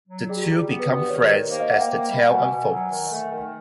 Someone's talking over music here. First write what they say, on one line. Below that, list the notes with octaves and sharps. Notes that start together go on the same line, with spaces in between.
The two become friends as the tale unfolds.
F#3
G3 G#4
F#4
G4
G3
G#4
B3
B4
G2 F#4
G4
D#3 C#5
D#3
A#3 C5
D#5 F5
A#3 E5 F#5
F5 G5
A#3
G3
B2 F#5 G#5
B2
F#3
D#3
A3
D#3